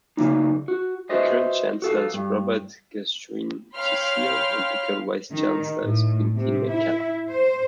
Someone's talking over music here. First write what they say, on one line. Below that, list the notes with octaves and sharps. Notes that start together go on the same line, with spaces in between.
The current chancellor is Robert Gascoyne-Cecil and the current vice-chancellor is Quintin McKellar.
C#3 F#3 A#3 D#4
F#4
F#4 B4 C5 D#5 E5
F#4 A4 F5
G2
C#5 F5 G5 B5 C6 F6
D#3
A2
C3
E4
C5